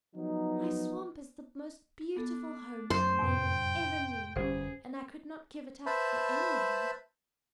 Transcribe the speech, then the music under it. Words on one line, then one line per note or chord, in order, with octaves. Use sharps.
My swamp is the most beautiful home that a maiden ever knew, and I could not give it up for any one.
F3 F#3 B3 D#4
B3 D4 A4
F#2 F#3 C5
F2 A2 C3 G5
G1 C#3 G3 C#4 G4 G#4 C5
B4 C5 E5 A5 B5